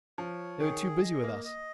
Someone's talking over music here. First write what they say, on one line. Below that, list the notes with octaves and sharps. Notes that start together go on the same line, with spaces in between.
'They were too busy with us.
F3 C#5
D#3 G#4
D#5
A#3
D#5